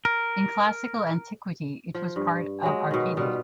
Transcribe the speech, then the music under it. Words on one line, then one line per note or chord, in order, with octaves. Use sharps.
In classical antiquity, it was part of Arcadia.
A#4
F3
G2
F#3 G#3
B2 D#3
B2 G3 F4